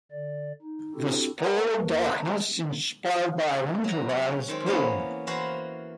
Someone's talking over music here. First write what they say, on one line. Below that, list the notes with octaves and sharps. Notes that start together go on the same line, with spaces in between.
This pall of darkness inspired Byron to write his poem.
D3 D5
D#4
C4 D4 E4 F#4 G4 A4
A#4 B4 C#5 F#5 A#5
E2 A#3 A#4 B4
A5 A#5
F#3 A#5
C#4 F#5
D#3 G#3 C4
E3 A#3 B3 C#4
E2 E3 F#4 C5 F5 A#5